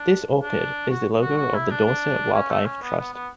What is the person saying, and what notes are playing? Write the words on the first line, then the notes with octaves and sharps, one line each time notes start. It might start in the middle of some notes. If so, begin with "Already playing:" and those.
This orchid is the logo of the Dorset Wildlife Trust.
Already playing: D4
D4
F#4
F#4
F#4
E4
D4
D4
C#4
A3
C#4
B3
B3
B3